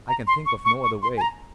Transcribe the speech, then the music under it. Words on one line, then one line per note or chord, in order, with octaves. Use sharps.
I can think of no other way.
A#5
C6
C#6
C#6
C#6
C6
G#5
A#5